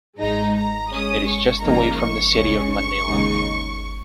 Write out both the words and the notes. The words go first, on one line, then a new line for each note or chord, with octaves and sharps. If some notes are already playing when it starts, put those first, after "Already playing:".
It is just away from the city of Manila.
G#2 G#3 D#4 A#5
A#5
G#2 G#3 C#4 D#6
C#6
C#2 C#3 F3 A#3 D#4 A#5
C#6
C#2 C#3 G#3 C#4
C#6
D#2 C#3 G#3 D#4